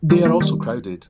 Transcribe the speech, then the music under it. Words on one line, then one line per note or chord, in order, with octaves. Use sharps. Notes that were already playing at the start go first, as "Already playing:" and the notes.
They are also crowded.
D#3 G3
F3 A#3
D#3 G3